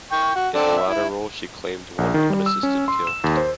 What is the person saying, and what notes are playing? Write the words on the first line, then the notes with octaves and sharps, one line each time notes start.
In the latter role, she claimed one unassisted kill.
G5 C#6
F#4
C4 D4 A4
E5
E4
A#1
D#3
G3
E6
C#4
C6
E7
D#2
C5